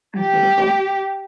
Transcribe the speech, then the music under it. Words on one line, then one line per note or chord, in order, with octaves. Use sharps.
That's beautiful.
G4